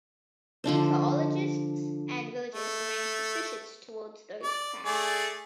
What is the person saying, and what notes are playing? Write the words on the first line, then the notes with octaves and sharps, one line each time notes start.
Ecologists and villagers remained suspicious toward those plans.
D3 F3 D4 C5
A3
D5
A3 G#4 D5